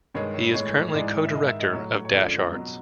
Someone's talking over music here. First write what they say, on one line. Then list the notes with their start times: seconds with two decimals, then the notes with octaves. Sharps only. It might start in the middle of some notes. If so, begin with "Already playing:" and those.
He is currently co-director of Dash Arts.
0.14 G2 D#3 G#3 C#5
0.34 C#5
0.54 A2 E3 G#3 C#5
0.94 G#2 E3 G#3 D5
1.25 E5
1.33 G#2 D#3 G#3 D#5
1.46 E5
1.60 D#5
1.73 A2 F#3 C#5
2.05 C#5
2.12 F#2 D3 F3 G#3 D5
2.52 B2 F#3